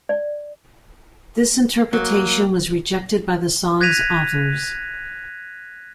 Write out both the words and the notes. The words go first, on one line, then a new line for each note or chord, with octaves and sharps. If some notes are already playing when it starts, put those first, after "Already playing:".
This interpretation was rejected by the song's authors.
D5
F#3 A#3
F#6 G#6 A#6 B6 D#7 F7